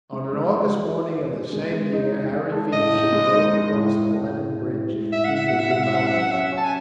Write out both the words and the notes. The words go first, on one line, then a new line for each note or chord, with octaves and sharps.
On an August morning of the same year Harry Feversham rode across the Lennon bridge into Ramelton.
G#3
G#3
D#4
F#4
A4
D#4
G#3
G#3
G#3
D#4
D#4
G#3
A4
A2 D#5
D#4
G#3
D#4
G#3
A2
A2
A2
A2
A2
G#3
A2
D#4 E5
F#5
A2 E5
G#3 F#5
E5
A2 F#5
E5
C#4 F#5
E5
F#3
F#5
C#4 E5
C#4 A5
G#5